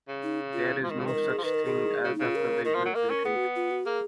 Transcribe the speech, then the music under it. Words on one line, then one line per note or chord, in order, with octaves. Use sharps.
There is no such thing as a "provisional patent".
C#3
D#4
F4
F3
D#3
C#3
D#3 B4
A#4
G#4
F3
D#3 B4
A#4
G#4
C#3 F#4
D#4
C#3
F4
A#4
D#3 A#4
F3
F#3
A#3 A#4
C#4
B3 G#4
F#4
F4
F#4
A#3 G#4